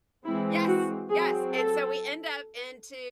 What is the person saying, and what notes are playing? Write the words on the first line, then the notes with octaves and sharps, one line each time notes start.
Yes. Yes, and so we end up into
E3 G#3 C4 E4
F#4
F#3 C4 G#4
A4